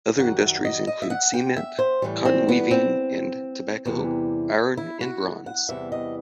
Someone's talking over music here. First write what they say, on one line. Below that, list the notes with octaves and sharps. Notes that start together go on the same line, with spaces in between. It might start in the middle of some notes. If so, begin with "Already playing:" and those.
Other industries include cement, cotton weaving, and tobacco, iron and bronze.
F#2 D#3 G3 F#5
E5
D#5
D#5
E5
F#5
G5
E5
C5
A2 E3 G3
C4
B3
C4
E2 C3 E3 G3
E4
F#4
F#5
E2 C3 E3 G3 E5
D#5